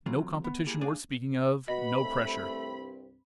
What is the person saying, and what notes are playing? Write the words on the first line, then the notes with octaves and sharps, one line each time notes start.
No competition worth speaking of--no pressure.
E3 F#3 A3 C4 F4
B3
A#3 E4 G4 G#4
A3 D4 G#4 D5 F5 G#5
B2 F#4 D#5 B5
C2 G2 A3 C4